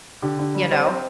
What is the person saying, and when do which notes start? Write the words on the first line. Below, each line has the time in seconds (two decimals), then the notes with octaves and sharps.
you know.
0.22 D3 G4
0.39 D3
0.55 G3
0.71 C4
0.86 C4